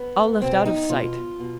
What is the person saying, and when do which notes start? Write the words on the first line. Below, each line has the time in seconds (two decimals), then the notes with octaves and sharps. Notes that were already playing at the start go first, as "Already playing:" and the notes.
All left out of sight!
Already playing: B3
0.41 B2 C4
0.65 D#4
0.90 B2 F4
1.40 B2